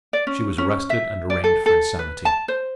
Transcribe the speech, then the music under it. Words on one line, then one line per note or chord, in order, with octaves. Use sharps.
She was arrested and arraigned for insanity.
D5
C#4
C#4
E5
D5
A4
A4
B4
A5
C5